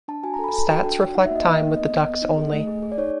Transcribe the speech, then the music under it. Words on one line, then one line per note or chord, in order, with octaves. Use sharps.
Stats reflect time with the Ducks only.
D4 A5
F#4 G#5
A#5
A4
B5
A4 A5
F#4 G5
D4
F#4
D#4 F#5
E5
A#3
D#5
D#4
A#3
B3 D#5
B3
B3
D#4
G#4
A3
G#4
G#4
D5
D#4 C#5